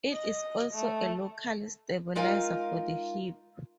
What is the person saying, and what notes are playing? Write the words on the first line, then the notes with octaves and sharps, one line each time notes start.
It is also a local stabilizer for the hip.
D#5
A3
G#3 D#4 F4 A#4 F5 G#5